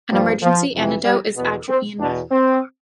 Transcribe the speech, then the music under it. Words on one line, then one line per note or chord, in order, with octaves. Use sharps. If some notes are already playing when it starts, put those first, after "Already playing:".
An emergency antidote is atropine.
G2 F3 G3
F3
F2 C3 E3
G3
E2 B2 B3
C4
E2 B2 D4
C4